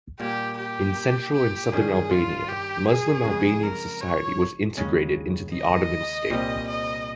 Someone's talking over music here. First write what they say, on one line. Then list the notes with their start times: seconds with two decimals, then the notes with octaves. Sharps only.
In central and southern Albania, Muslim Albanian society was integrated into the Ottoman state.
0.20 A#2 G3 A#3 G4
0.58 G4
1.34 G4
1.72 G2 D#3 G3 C#4 G#4
2.10 F4
2.48 G4
2.87 G#4
3.25 F2 C#3 G#3
3.63 A#4
4.01 C#5
4.77 D#2 C#3 G#3 C#4
5.54 D#5
6.30 C2 A#2 G3 C4 G4
6.67 D#5